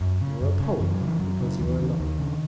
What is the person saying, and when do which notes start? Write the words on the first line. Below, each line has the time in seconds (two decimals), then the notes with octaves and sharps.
You are a poet because you are low.
0.01 F#2
0.21 C#3
0.41 F#2
0.60 C#3
0.80 F#2 E3
0.90 E3
0.94 F#3
1.01 C#3
1.07 E3
1.20 F#2 F#3
1.41 C#3
1.60 D#2 E3
1.79 C#3
2.00 D#2 D#3
2.19 C#3